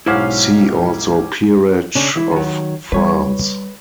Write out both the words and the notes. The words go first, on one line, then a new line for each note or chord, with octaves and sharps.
See also Peerage of France.
B1 G#2 C#4 E4 G4 C5 F5 F#5
C#3 C#4 D4
E3 E4
D#3 F#3
G3 B4 C#5